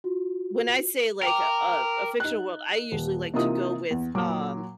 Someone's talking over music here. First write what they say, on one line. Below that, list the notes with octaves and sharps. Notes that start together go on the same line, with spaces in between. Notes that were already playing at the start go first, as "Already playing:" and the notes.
when I say like a a a fictional world, I usually like to go with, um,
F4 F#4
A#4 G5 D6
D#4 F#6
D#1
C3 E3 A#3 D#4 F4 D#6
E2
A#2 F#3 D6